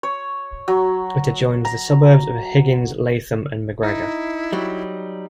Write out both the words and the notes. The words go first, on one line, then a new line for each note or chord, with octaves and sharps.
It adjoins the suburbs of Higgins, Latham and Macgregor.
C#5
F#3
A#5
D#4 E4
F#3 G3